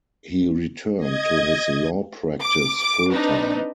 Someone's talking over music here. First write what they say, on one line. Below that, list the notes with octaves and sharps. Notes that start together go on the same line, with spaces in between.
He returned to his law practice full-time.
D#5 G#6
D6
D6
C4 D4 D#4 B4